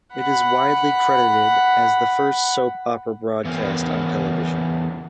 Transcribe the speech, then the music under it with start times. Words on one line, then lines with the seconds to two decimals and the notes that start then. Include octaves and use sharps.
It is widely credited as the first soap opera broadcast on television.
0.13 F#5 B5
3.45 E3 B3 C#4 A#4 C5